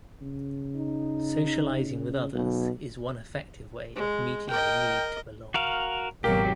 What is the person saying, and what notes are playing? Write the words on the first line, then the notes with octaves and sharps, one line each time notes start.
Socializing with others is one effective way of meeting the need to belong.
C#3
D#4
B1 B2
G#3
A#4 D#5 G5
F#4 A#4 F5
G#1 B2 F#3 A#3 G4